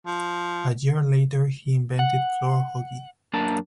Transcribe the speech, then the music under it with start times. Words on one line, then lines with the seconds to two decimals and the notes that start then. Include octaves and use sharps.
A year later, he invented floor hockey.
0.06 F3
1.99 F#5
3.33 F#2 A#3 D4 A5 A#5